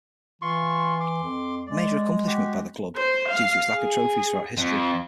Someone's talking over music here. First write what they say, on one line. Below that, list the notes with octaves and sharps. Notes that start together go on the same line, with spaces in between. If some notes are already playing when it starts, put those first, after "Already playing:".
A major accomplishment by the club due to its lack of trophies throughout history.
E3 F4 C6 C#6
C6 D6
F2
G#3 D5
F#4 G4
C5
F5
G#4
F2